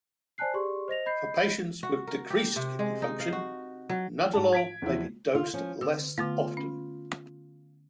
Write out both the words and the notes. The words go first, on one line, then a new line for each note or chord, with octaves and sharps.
For patients with decreased kidney function, nadolol may be dosed less often.
C5 D5 G#5 A5 F#6 C7
G4 G#4 D5 C6 C#6
C5 D#5 A#6 F7
D#5 B5 G6 C7
F#4
A#4
G4
C3
G#3
D#4
F5
F#4
F#3
G#2 A5
G#6 B6 D7
E2 F3 E4
F4
F3 C#4
D3 C4 E6
D3 A3 B3 F4
C#4